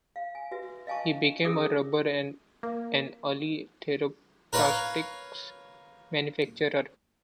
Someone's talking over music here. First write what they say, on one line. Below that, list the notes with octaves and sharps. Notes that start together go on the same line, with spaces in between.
He became a rubber and an early thermoplastics manufacturer.
F5
G#5
F#4 B4 E5
D#5 F5 G#5 A5 C#6
C#4 G#4 A#4 E5 D6 D#6
A#3
A#4 B4 C#5 F5